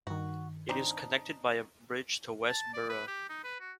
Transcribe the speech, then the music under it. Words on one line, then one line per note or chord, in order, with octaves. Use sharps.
It is connected by a bridge to West Burra.
G2 D#3 F#4
C4 D4 D#4
A5
D5
B4
G4
D#4
B4
F#4